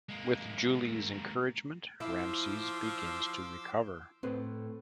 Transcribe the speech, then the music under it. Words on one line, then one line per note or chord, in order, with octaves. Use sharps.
With Julie's encouragement, Ramses begins to recover.
G#3 A#3
F3 E4 C6 D6 E6
A2 C4 B4 C5